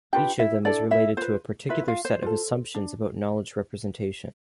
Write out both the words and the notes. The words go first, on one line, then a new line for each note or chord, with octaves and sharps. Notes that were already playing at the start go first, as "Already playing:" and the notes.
Each of them is related to a particular set of assumptions about knowledge representation.
D4 F4 G4 B4 G5
E4 E5
D4 E4 A4 D5
E4 E5
F4 B4 C5
E4 F4 B4 E5
F4 F5
C5
F4 A4
D4